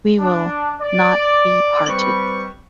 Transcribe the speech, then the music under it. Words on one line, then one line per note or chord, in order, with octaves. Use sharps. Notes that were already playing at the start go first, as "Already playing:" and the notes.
We will not be parted.
D4
D5
G3 C4 B4 C#6